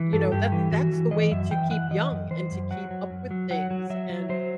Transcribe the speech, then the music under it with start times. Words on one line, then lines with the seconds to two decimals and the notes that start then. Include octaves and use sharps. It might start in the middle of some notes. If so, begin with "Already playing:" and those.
you know, that's that's the way to keep young and to keep up with things, and,
Already playing: E3
0.12 G2 A4
0.32 G2 G4
0.52 E3
0.72 E3 F#4
0.92 E3
1.11 E3 D#5
1.31 F#2 E5
1.51 E3 G5
1.71 E3 F#5
1.91 E3 D#5
2.11 F#2
2.31 E3 C5
2.51 F#2
2.71 F#3 F#5
2.91 F#3
3.10 F#2
3.31 F#3
3.50 F#3 F#5
3.71 F#3
3.90 F#3 E5
4.10 F#3
4.29 F#3 C5